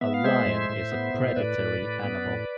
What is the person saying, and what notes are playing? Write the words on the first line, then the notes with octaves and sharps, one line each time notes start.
A lion is a predatory animal.
B3 E5
F5
G#3 C5 E5
A2
A2
B3
A2
A2 B4 D5
A2
A2
B3
A2